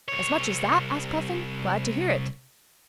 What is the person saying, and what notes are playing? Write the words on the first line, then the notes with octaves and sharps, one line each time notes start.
"As much as that?" asked Puffin, "Glad to hear it."
C2 C#5